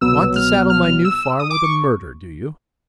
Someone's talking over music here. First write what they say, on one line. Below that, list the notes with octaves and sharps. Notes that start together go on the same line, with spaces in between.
Want to saddle my new farm with a murder, do you?
C2 B2 F#3 B3 E6
F6
F6
E6
D#6
D6
C#6